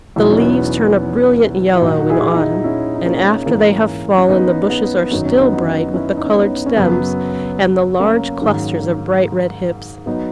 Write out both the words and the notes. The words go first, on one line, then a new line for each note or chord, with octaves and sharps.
The leaves turn a brilliant yellow in autumn, and after they have fallen the bushes are still bright with the coloured stems and the large clusters of bright-red hips.
E2 B2 F#3 E4
D#4
C#4
B3 D#4
E4
A#2 F#3 D#4 F#4
F#4
E4 G#4
G#4
D#4 F#4
C#4 E4
D#4
A#3 C#4
G#2 E3 A#3 C#4
C#4
B3 D#4
B3
F#2 D#3 F#3 D#4
C#4
B3 D#4
D#4 F#4
C#4 E4
D#4
C#4
B3
C#4
F#2 C#3 F#3 B3
B3
A#3 C#4
G#2 D#3 F#3
F#3 B3 D#4